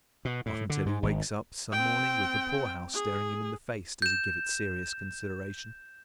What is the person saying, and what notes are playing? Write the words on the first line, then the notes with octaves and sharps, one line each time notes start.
Not until he wakes up some morning with the poorhouse staring him in the face does he give it serious consideration.
B2
A2
D3
G#2
G#1
C4 G5
G#4
G6 E7